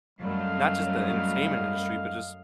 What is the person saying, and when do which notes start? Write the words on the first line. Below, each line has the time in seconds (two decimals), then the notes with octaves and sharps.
not just the entertainment industry, but just
0.19 F#2 F#3 G3 A3 D#5 F5